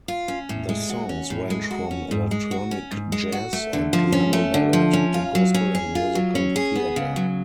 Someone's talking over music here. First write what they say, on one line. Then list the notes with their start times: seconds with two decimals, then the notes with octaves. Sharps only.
The songs range from electronic jazz and piano ballad to gospel and musical theater.
0.08 F4
0.28 C#4
0.49 A2
0.69 G#3
0.90 F#4
1.09 C#4
1.30 A2
1.50 G#3
1.71 F#4
1.91 C#4
2.11 G#2
2.31 G#3
2.51 F#4
2.71 C#4
2.91 G#2
3.12 G#3
3.32 F#4
3.53 A3
3.73 D3
3.93 F3
4.12 C#4
4.33 A3
4.54 D3
4.73 F3
4.93 C#4
5.14 F4
5.35 F#3
5.54 C#4
5.75 G#4
5.95 F4
6.15 F#3
6.35 C#4
6.56 G#4
6.75 B3
6.96 C#3
7.16 F#3